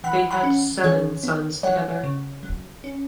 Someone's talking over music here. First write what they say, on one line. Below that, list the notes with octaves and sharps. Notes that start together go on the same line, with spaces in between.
They had seven sons together.
E3 F#5 B5
F#5 B5
C#4
E3 G#4 C#5
B3
F#3 C#5 F#5
C#3
F#3
C#4